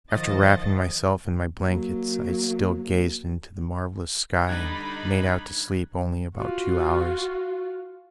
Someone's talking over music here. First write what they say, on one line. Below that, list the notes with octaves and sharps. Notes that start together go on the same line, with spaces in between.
After wrapping myself in my blankets, I still gazed into the marvelous sky and made out to sleep only about two hours.
D#3 F3 D#5 A6
F#3 A#3
D3 G3 D#4 D5 B5 F#6 G#6
F4 F#4